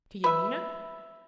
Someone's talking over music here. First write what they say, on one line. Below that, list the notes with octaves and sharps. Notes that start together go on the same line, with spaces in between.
"To Yanina?"
B4 E5